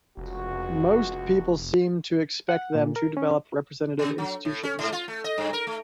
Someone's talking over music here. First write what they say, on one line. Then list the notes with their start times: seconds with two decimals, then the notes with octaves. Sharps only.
Most people seemed to expect them to develop representative institutions.
0.17 F1 C#2 F#4
2.49 F#5
2.75 A#2
2.96 A#4
3.17 C#4
3.99 C#3
4.18 F#3
4.45 A2
4.63 C#4
4.79 G#2
4.92 F4
5.08 A3
5.24 D#5
5.38 G2
5.53 A#4
5.67 A3